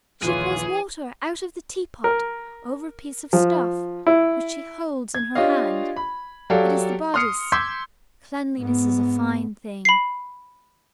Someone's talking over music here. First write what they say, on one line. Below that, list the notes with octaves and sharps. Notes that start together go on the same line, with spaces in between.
She pours water out of the teapot over a piece of stuff which she holds in her hand; it is the bodice; cleanliness is a fine thing.
A#1 D#2 E3 F4 G#4 C#5
A#4
F3
E4
G#6
D4 F4 G4 C#5 D#5 F5
B5
F#3 G4 A4 D5 F5
C6 D#6 F6 C7 C#7
C6 D6 E6 G6 G#6 B6
G#2 B3
B5 C7